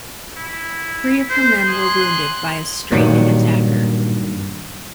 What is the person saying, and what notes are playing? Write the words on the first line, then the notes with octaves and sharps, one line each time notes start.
Three of her men were wounded by a strafing attacker.
E4
C5
G#4 C6 F#6
G2 A#2 D#3 F#3 A#3